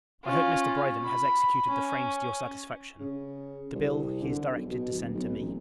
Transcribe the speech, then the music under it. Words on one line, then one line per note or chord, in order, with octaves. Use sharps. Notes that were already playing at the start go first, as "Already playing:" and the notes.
I hope, Mr. Brydon has executed the frames to your satisfaction; the bill, he is directed to send to me.
C#4 F4
B5
C#4
C#3
C2
D3
B1
B2
D1
B1
A1